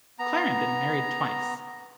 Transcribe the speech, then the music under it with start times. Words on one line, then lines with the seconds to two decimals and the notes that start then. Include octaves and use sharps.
Clarendon married twice.
0.19 B3 A#5